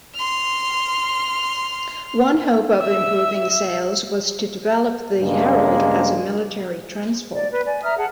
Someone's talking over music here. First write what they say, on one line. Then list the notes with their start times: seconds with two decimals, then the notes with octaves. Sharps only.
One hope of improving sales was to develop the Herald as a military transport.
0.15 C6 F6
2.80 E5 E6
5.22 G2 C#3 G#3 A#3
7.34 D5
7.51 B4
7.66 D5 G#5
7.83 E5 A#5 D#6 F6
7.97 G#4 F#5 A5